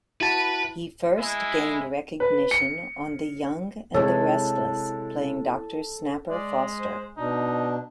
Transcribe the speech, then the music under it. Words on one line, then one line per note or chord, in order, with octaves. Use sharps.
He first gained recognition on "The Young and The Restless", playing Doctor Snapper Foster.
E4 F#4 B4 A5
G#3 E4
B4
C#7
C3 G#3 E4 A4 C#5
G#3 D5
C5
B2 D4 D#4